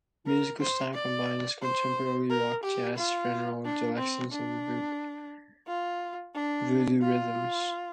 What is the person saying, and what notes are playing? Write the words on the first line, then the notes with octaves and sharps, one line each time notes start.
Musical style combines contemporary rock, jazz funerals, Dixieland and voodoo rhythms.
A#4
C5
D5
C5
A#4
G4
F4
D4
C4
D4
F4
D4
F4